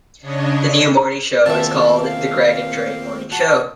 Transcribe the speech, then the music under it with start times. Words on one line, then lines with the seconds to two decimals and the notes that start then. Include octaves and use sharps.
The new morning show is called the "Greg and Dre Morning Show".
0.22 C#3 D4 C#5 D#5
1.46 E2 A#2 D#3 A#3 C4 E5 A5
2.06 F5
3.32 F#4 A5